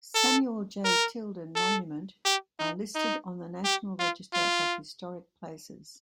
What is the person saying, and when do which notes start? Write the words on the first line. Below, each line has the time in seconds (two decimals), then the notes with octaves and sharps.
Samuel J. Tilden Monument are listed on the National Register of Historic Places.
0.15 A4
0.85 A#4
1.55 A4
2.25 G4
2.59 D#4
2.95 D#4
3.64 G4
3.99 F4
4.33 F4